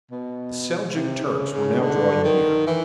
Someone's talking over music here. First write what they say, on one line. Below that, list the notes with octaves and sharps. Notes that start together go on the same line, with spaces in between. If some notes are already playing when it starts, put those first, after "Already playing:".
The Seljouk Turks were now drawing near.
B2
C3
C#3
C#3
D3
D#3
E3